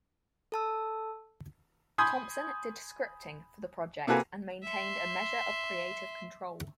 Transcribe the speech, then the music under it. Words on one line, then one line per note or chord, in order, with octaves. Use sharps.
Thompson did scripting for the project and maintained a measure of creative control.
A4 A5 E6
G#5 B5 C6 D#6 G6 G#6
C3 A#3 F#4 A4 B4 G#5
E5 C6